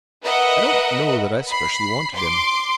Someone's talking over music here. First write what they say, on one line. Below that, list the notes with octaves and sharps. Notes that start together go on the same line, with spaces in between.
I don't know that I specially wanted him.
A#4 B4 D#5 E5 F#5
B5 C7
C6 D6